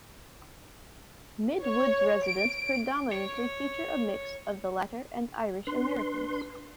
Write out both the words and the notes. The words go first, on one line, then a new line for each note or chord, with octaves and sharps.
Midwood's residents predominately feature a mix of the latter and Irish Americans.
C#5
D7
C#5
D4 B4 C6